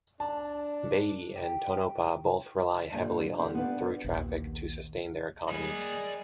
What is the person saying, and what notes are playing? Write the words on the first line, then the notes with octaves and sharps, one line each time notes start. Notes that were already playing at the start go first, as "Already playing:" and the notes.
Beatty and Tonopah both rely heavily on through traffic to sustain their economies.
D4 A5
G4
G2 A#2 D3 G3
D3 C4 G4
B3 D4 G4 B4 F5
A#1 D#2 A#2
A#3 G#4 D5 D#5 B5